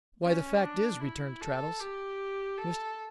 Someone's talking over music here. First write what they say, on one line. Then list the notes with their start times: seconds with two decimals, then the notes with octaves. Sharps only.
'Why, the fact is,' returned Traddles, 'Mr.
0.24 C#4
0.63 D4
1.02 E4
1.41 A4
1.80 G4
2.58 A4